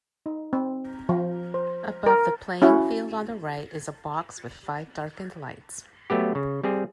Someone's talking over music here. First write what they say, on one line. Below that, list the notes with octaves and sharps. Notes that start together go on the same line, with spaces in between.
Above the playing field on the right is a box with five darkened lights.
D#4
C4
F3
C5
A#4
C#4 E4 F#4
F#3 A3 B3 G4
C#3
G3 C4 G#4